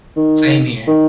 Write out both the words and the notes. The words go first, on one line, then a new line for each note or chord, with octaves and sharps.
Same here.
D#3
D#3